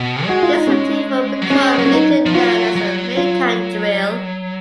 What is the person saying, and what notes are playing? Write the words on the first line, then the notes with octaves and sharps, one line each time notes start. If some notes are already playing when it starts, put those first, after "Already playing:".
This routine would become later known as the Mikan Drill.
Already playing: B2
G#3 F#4
F4
D#4
C#4
F#3
G#3 C#4
F#3
C#4
D#4
F3
F#3 F4
F#3
F4